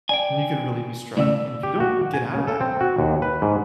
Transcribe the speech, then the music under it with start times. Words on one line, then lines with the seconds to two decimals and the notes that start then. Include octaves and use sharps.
and you can really be struggling and if you don't get out of that,
0.09 D5 G5 G#5
1.17 A2 C#3 D5 E6
1.63 G4
1.80 F#4
2.14 G#5
2.35 C#3
2.47 A4
2.61 C4
2.81 F#4
2.98 D#2
3.22 B4
3.42 G#2